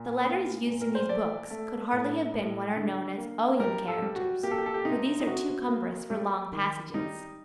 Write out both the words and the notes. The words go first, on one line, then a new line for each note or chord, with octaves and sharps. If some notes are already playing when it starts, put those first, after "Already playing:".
The letters used in these books could hardly have been what are known as Ogham characters, for these are too cumbrous for long passages.
Already playing: A#2
A#3
A#2
A#4
C5
A3 D5
A3
A2
A2
D3
A#3
G3 A#4
A4
G3
F#4
A#3 G4
A4
G4
A4
G4
C3 D#4
D#4
C3 F#4
A#3
G3
D#3
G3 D#4